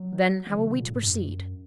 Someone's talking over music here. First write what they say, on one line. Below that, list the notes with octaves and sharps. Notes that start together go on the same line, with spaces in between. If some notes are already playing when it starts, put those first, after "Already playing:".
"Then how are we to proceed?"
Already playing: F#3
D#3
C3
C#3
A#2
G#2
F#2